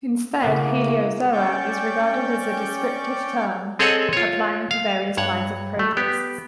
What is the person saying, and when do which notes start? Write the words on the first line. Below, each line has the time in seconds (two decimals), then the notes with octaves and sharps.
Instead, "heliozoa" is regarded as a descriptive term applying to various lines of protists.
0.43 A2 C#3 A#3 F#5
1.33 C#4 D5 G5 C#6 D6 G6
3.79 C4 G#4 A4 C#5 D#5 F#5
4.13 F4 C#5
4.71 F5
5.17 G2 C#5 F#5
5.79 A3
5.97 B3 G4